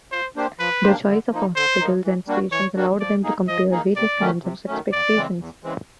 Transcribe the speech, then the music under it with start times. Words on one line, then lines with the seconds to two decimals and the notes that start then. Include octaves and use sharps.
Their choice of hospitals and stations allowed them to compare various kinds of expectations.
0.11 F3 C5
0.36 A#3 D4 G4 C5
0.59 F3 B4
0.83 A#3 D4 G4 C5
1.08 D3
1.31 F3 A#3 D#4
1.56 D3 C5
1.80 F3 A#3 D#4
2.04 E3
2.27 G3 A#3 D4 F#4
2.51 E3 C#5
2.76 G3 A#3 D4 F#4
3.00 F3 D5
3.23 A#3 D#4 G#4
3.48 F3 D#5
3.71 A#3 D#4 G#4
3.95 C3 D5
4.20 D#3 F#3 A3 C#4
4.43 C3
4.67 D#3 F#3 A3 C#4
4.91 E2 D5
5.16 C#3 E3 G#3 C4
5.40 E2
5.64 C#3 E3 G#3 C4